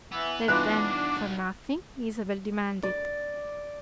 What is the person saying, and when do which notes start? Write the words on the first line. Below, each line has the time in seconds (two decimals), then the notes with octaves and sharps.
"Let them for nothing?" Isabel demanded.
0.12 E3 B3
0.48 E3 B3 D4 D#4 F4 F#4 F#6
2.83 D5